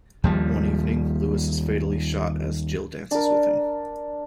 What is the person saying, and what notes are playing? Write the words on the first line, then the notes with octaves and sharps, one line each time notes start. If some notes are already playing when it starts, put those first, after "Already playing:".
One evening, Louis is fatally shot as Jill dances with him.
D#2 F3 G3
D4 A#4